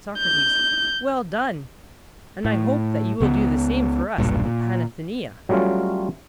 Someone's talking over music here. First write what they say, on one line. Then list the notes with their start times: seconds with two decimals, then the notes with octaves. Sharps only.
SOCRATES: Well done; and I hope that you will do the same for us at the Panathenaea.
0.20 G6
2.45 A2
3.20 C#2 C#3 B3
4.18 E1 B1 G2 A#2
4.45 A#2
5.49 F#3 G3 A3 C#4 F4